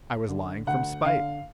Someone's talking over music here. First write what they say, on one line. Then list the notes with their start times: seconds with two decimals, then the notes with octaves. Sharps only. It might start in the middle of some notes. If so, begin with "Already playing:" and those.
I was lying from spite.
0.28 D3
0.67 D2 F#5
1.05 D3 F5